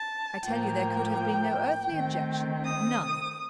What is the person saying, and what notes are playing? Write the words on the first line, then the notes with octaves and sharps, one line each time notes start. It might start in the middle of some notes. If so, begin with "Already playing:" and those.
I tell you there could have been no earthly objection--none.
Already playing: A5
A2 F3 A#3 G5
D#3 A3 C4
D#6